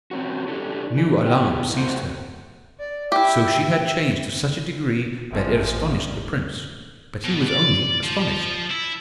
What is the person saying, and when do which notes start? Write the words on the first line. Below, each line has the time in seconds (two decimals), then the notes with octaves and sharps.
New alarm seized her: so she had changed to such a degree that it astonished the prince, but he was only astonished.
0.11 C4 C#4 F#4
0.48 D4 E4 G4 A4
0.98 E3
1.25 B3 E4 G4 G#4 G5
1.74 C3 A3 F#4 A#4 C5
2.80 D5
3.12 E4 G4 E5 G5
5.31 A1 C3 F3 G#3
5.80 D2 A2
7.24 B2
7.48 D5
8.04 F3
8.71 E4